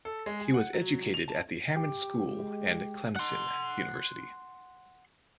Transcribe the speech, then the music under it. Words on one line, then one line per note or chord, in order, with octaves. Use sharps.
He was educated at the Hammond School and Clemson University.
A4
G#3
G#4
F#5
F#3
F7
A5
G4
G#3
F#5 C6